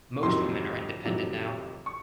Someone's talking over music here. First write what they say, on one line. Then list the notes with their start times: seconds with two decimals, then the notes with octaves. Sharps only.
Most women are independent now.
0.23 F2 C3 D#3 F#3 C6
1.05 F2 C3 D#3 F#3
1.86 C#6